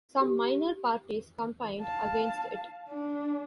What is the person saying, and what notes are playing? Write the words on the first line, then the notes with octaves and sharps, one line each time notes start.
Some minor parties campaigned against it.
G4
F5 A5
D4